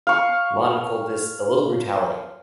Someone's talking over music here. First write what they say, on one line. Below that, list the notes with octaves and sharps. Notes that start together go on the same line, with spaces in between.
Martin called this "the little brutality".
F5 C#6